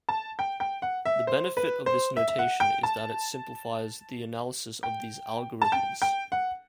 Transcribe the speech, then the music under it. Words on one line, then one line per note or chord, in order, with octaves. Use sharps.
The benefit of this notation is that it simplifies the analysis of these algorithms.
A5
G5
G5
F#5
E5
C5
B4
C5
E5
E5
F#5
G5
A5
G5
A5
G5
G5
F#5